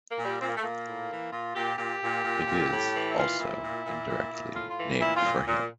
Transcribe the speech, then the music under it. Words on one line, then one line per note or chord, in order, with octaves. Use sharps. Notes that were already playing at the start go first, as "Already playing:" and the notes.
It is also, indirectly, named for him.
A#3
A#2
G3
A#2 C4
A#3
A3
A#2 A#3
A2
E3
A#2 F4
A#2 G4
A#2 G4
A#2
A#2
A#2
A2
E3
E4
A#2 F4
A#2 E4
A#2
A#2
A#2
A#2
A2 F4
F4
E3
A#2 E4
F4
A#2
A#2